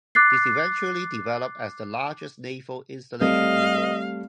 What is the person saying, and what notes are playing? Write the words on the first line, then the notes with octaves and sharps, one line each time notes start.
This eventually developed as the largest naval installation in the world.
D6 F#6 A6 C7
G3 A3 C4 D#5 F5